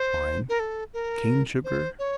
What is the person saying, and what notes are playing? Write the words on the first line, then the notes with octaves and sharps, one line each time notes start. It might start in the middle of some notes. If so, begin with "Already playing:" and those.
Wine. Cane sugar.
Already playing: C5
A#4
A4
A#4
C5
C#5